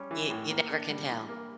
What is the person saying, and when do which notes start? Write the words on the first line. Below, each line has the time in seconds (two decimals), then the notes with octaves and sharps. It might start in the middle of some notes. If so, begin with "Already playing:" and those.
you you never can tell.
Already playing: G3 C#4
0.11 E3
0.30 A2
0.50 A#3
0.70 D4
0.90 G3
1.10 E3
1.28 A#3